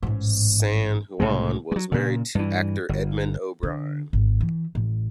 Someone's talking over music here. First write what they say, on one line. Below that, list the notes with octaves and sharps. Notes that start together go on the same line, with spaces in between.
San Juan was married to actor Edmond O'Brien.
A1 G#2
C2 A2 C#3 G#3
F#3 G#3
A#2 C#3
G2 E3
G1
D3
G#1
E3
A1